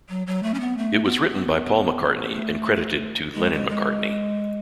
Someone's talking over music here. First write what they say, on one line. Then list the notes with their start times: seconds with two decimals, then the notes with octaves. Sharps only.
It was written by Paul McCartney and credited to Lennon-McCartney.
0.09 F#3
0.27 F#3
0.43 A3
0.54 C#4
0.60 B3
0.77 A3
1.04 B3
1.29 B3
2.32 A3
3.35 G#3
3.52 G#3
3.69 G#3